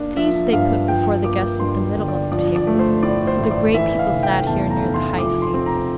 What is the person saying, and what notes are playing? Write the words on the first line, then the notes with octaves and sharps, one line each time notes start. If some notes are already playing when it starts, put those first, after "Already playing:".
These they put before the guests at the middle of the tables; for the great people sat here near the high seats.
Already playing: A#3 D4 D5
F3 E5
G2 F5
F3 G5
A#3 D6
G2 C6
G1
D5
F3 D5
D5
A3
C5
A2 D5
C5
A1
D5
E3 E5
F5
F1
G5
E2 A5
A#5
F1
C6
F3 D6
C6
C4
A#5